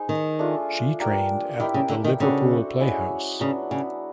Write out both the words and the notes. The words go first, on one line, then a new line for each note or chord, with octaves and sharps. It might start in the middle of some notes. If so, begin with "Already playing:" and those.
She trained at the Liverpool Playhouse.
Already playing: D#4 G#4 C5
D#3
A3 D4 F4 G#4
A#3 D4 G4 A#4
D#3 E4 G4 A#4
C#3
D3
D#3
C#3 D4 F#4 A4 C5
G#3 C#4 E4 G#4
C#3 F#3 B3 D4 F#4
C#3